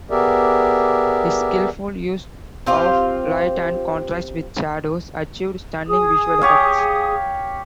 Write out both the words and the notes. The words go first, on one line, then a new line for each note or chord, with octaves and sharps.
His skilful use of light and contrast with shadows achieved stunning visual effects.
B3 G4 G#4 A#4 D5 E5
C4 F4 G4 C5
G#4 D#6
G4 C#5 F5